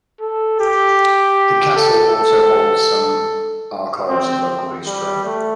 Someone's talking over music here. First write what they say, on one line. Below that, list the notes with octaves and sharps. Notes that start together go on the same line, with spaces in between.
The Castle also holds some archives of local history.
A4
G4
A4
A4
C4
G3
A3